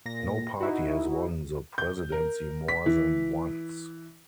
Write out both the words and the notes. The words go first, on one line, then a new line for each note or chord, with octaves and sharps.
No party has won the presidency more than once.
A#2 A#6
D#4 E4 F#4
G6
A#4
B6
E3